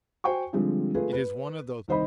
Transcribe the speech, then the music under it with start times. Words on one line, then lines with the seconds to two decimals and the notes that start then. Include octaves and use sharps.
It is one of those.
0.24 F#4 C5 G5 G#5 C#6
0.53 D3 F3 G3 G#3 C4
0.94 A3 F4 G#4 B4
1.13 B4
1.88 C2 D#3 C5 D#5 B5